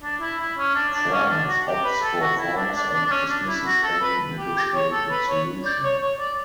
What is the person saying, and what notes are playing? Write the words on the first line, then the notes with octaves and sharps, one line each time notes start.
France opts for force and dismisses any negotiated solution.
D4
E4
E4
C#4
D4
D4
C#4
D4
F#4
G4
B4
A4
F#4
E4
D4
D4
D4
D4
C#4
D4
E4
F#4
A4
B4
G4
G4
C#5
A4
B4
C#5
D5
C#5
C#5
D5